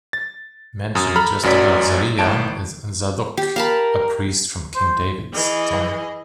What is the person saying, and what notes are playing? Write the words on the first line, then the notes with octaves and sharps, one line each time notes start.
Mentioned just above Zariah is Zadok, a priest from King David's time.
A6
F#2 D#6
A4 A#5 B5 F6
A1 F#2 F#3 D5 B6
G#1 A2 A5 D7
G4
A#4 F5 A5 B5
C5
E3 G#4 D#5